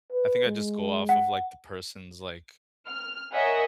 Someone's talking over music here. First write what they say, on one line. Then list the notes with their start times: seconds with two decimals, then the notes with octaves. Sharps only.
I think I just go off of, like, the person's, like,
0.11 B4
0.46 G#3
1.09 F#5
2.87 F6
3.33 A#4 C#5 D#5 E5 F#5 G#5